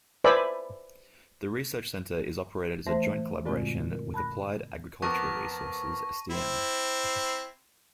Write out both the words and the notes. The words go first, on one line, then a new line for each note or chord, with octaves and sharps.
The research centre is operated as a joint collaboration with Applied Agricultural Resources Sdn.
B4 C5 D5 E5 G#5 B5
E3 A3 C5 A5 C6 A#6
F#2 A#2 D3 G#3 C4 F4
A#4
A5 B5 F#6 A#6
F2 B3 A#4 A5 C#6 D6 A#6
C4 E4